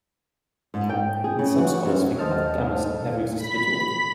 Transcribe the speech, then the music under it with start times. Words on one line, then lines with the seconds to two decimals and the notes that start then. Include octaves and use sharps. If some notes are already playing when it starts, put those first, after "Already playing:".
And some scholars think that Damis never existed at all.
0.74 G#2
0.90 G5
1.24 G#4
1.39 C#3
1.58 F#4
1.85 F#2
2.19 D#2 A4 C5 D#5 A5 F6
3.36 B5 B6